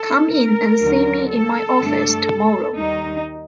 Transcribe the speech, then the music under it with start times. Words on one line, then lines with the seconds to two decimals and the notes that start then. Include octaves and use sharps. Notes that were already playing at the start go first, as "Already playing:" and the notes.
Come in and see me in my office tomorrow.
Already playing: A4
0.34 A#4
0.81 D#2 D3 F#3
1.30 A4
1.78 G2 D3 A3 D4
2.75 D#2 D#3 G3 D#4